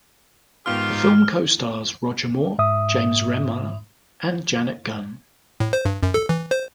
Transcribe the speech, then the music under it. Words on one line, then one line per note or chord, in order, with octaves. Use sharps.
The film co-stars Roger Moore, James Remar and Janet Gunn.
G#2 D#3 B3 F4 G4 C6 F6
G#2 E5 D#6
A2
C5
G2
F#2
A4
E3
C5